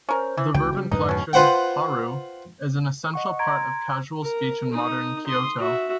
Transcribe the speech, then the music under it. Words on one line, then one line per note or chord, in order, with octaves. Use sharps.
The verb inflection "-haru" is an essential part of casual speech in modern Kyoto.
C#4 A#4 C5
E3
C#2 D3 F#4 G5
C#3 F3 G3
F2 G#2 D3 D#4 B4
B2 C#4
F4 B4 C5 F#5 G5
D#5 F#5 C#6
A#5 C6 G#6 D7
A#4
D#4 D#6
C6 D#6
F#4 E5